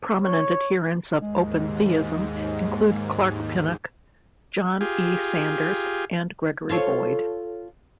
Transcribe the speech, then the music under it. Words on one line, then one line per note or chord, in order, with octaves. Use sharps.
Prominent adherents of open theism include Clark Pinnock, John E. Sanders and Gregory Boyd.
C#5
D#2 G#2 G#3
F4 G4 G#4
F4 A4 C#5